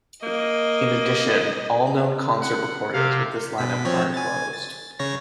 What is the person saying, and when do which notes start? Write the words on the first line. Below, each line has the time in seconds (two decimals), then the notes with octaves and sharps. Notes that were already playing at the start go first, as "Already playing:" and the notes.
In addition, all known concert-recordings with this line-up are enclosed.
0.23 A#3 D#5
2.41 F#5
2.93 C3 F5
3.58 B2 B6
3.85 F3 C4 C#5
4.14 G#5 A6
4.53 A6
4.99 C#3 C#5 A#6